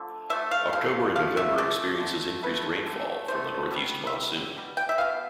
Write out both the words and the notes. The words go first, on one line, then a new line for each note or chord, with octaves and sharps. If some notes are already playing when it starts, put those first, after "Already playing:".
October and November experiences increased rainfall from the Northeast monsoon.
Already playing: D3 F3 A3
D3 F3 A3 E5
F5
D3 F3 A3 F5
D3 F3 A3 F5
E5
D3 F3 A3 D5
D3 A3
D3 A3 B4
D3 A3
D3 A3 C5
B2 G3 B3
E5
B2 G3
B2 G3
G5
E5
B2 G3 B3 F5